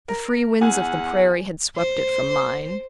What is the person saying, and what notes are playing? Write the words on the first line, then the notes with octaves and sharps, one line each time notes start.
The free winds of the prairie had swept it from mine.
A#4
E2 F#5 G#5
C5